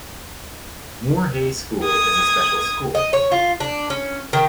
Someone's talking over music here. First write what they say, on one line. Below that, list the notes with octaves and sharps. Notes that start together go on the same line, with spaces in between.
Moor Hey School is a special school.
D#6 G#6
D#5
C#5
F4
D4
C#4
D#3